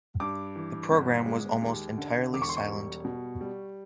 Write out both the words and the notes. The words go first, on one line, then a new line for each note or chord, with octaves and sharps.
The programme was almost entirely silent.
G2 D6
E3
G1
G#3
D#2
D3
E1 D6
C#6
C6
C#6
G3
B2
G3